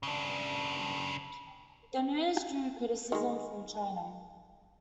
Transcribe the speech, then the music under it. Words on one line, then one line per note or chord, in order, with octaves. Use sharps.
The news drew criticism from China.
C#3 D4
D#3 G#3